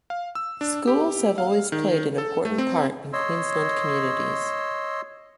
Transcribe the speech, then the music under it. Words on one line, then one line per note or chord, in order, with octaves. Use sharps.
Schools have always played an important part in Queensland communities.
F5
E6
D4
G4
F5
D#3
A4
A3
C4
C#5 D#5 C6 E6